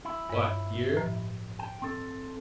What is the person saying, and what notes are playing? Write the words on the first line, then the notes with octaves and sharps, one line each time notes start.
"What, here?"
E4
G2 C#5
A2 F3
G5
C4 A4